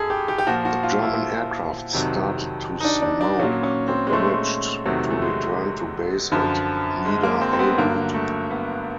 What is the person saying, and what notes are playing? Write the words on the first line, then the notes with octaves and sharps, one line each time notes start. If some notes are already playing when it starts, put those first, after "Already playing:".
The German aircraft started to smoke, but managed to return to base at Nieder-Ellguth.
Already playing: F#2 G#4 A4
G4
G4
G4
A#2 F3 F#4
F#4
F4
E4
F2 C3 D#3 F#3
D#4
D4
D4
D4
A#2 F#3 C#4
C#4
C4
G#3
A3
E2 C3 D#3 F#3 A3
A3
G#3
F#2 D3 F3
G#3
A#3
C4
C4
B3
G2 D3 F#3 A#3
A3
B3